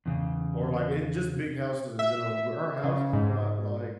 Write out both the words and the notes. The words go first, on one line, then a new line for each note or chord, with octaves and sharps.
or like in just big houses in general, our house is not like
E2 C#3
E5
C#3
G#2